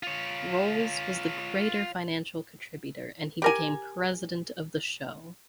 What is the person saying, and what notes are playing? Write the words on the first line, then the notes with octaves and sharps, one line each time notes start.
Rolls was the greater financial contributor and he became President of the show.
F4 C#5
G4 A#4 G#5